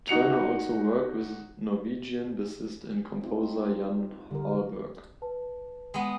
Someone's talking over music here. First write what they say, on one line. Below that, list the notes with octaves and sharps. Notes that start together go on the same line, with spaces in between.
Turner also worked with Norwegian bassist and composer Jan Holberg.
D#4 F#4 C#7 F7
C4 D#4 F4
D3 G3 A#4
B4 A5
G#3 B3